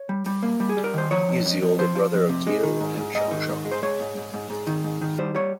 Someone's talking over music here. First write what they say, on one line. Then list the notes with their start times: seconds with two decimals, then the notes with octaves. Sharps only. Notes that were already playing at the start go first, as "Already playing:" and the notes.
He is the older brother of Gilles and Jean-Jacques.
Already playing: C#5
0.09 G3
0.26 G3
0.43 A#3
0.60 G3
0.69 G#4
0.77 G3
0.84 A#4
0.94 D#3 C5
1.11 F3 C#5
1.29 F2
1.45 F2
1.62 F2
1.79 F3 C5
1.95 F3
2.13 F2
2.29 C3
2.47 G#3
2.63 D#3
2.80 G#2
2.98 G#2
3.15 G#2 D#5
3.31 D#3
3.49 G#2
3.65 G#3
3.72 C5
3.83 G#3 C#5
4.00 G#2
4.17 G#2
4.34 G#2
4.50 G#2
4.67 D#3
4.84 G#2
5.01 D#3
5.18 G3 C5
5.35 G3 C#5